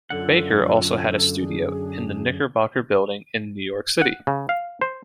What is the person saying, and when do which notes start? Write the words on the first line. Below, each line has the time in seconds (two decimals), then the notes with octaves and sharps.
Baker also had a studio in the Knickerbocker Building in New York City.
0.10 F#2 D3 F4 A4 F#5
1.38 D4 G#4
4.02 F#5
4.27 C#3
4.49 F5
4.81 C5